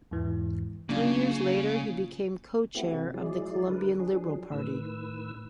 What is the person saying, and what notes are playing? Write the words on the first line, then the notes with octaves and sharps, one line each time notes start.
Three years later he became co-chair of the Colombian Liberal Party.
E2 G#2 E3
C#3 F#3 A#3 D4 F4
A3 B3 C4 E4 F#4 G4
C3 C4
F3 F#3 G#3 E4 G#4 D5
D3 A#4 B4
F3 F#3 D4 G#4
A2 D#3 B4 E6